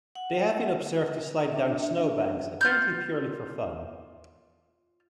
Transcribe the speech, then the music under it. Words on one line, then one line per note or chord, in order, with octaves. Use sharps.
They have been observed to slide down snowbanks, apparently purely for fun.
F#5
D4 E5
F4 F6 G6